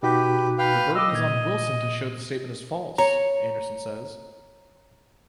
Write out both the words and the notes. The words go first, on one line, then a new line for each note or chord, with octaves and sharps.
The burden is on Wilson to show the statement is false, Anderson says.
B2 D#4 F#4 G4 B4
B4 F5 G5
D#5 D6 E6
A#2 G#6
C#5 A#5